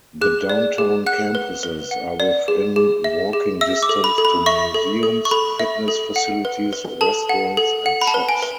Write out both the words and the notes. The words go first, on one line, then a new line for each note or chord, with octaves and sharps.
The downtown campuses are within walking distance to museums, fitness facilities, restaurants and shops.
G#4 F#6
D5
G#4
F#5 F#6
B4
B4
F#5
D5
G#4
G#4
E5
G#4
E5 E6
D6
A4
B5
A4
B5
E5 C#6
A4
A4
C#6
A4 B5
E5
A4
F#5
B4
B4
A4 A5
F#5
A4
F#5
B5
A5
B4
G#5
B4